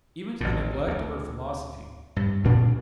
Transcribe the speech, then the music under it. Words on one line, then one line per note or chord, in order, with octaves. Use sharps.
Even to the neglect of her philosophy.
A1 D2 A2
D2
G2
D2 A#2 D4